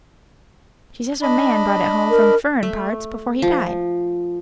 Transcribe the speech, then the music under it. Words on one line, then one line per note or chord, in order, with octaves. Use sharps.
She says her "man" brought it home from "furrin' parts" before he died.
D4 D#5 B5
A#4
A3
F3